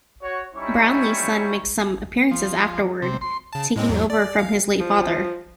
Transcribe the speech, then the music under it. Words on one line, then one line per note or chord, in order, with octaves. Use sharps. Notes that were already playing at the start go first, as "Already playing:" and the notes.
Brownlee's son makes some appearances afterward, taking over from his late father.
F#4 C#5
G3 C#4 D#4 E4 C#5 C#6
F3
C3
C6
C#3 A5
A2 G#3 C4
E2 G#2 F#3
D5
F5
F3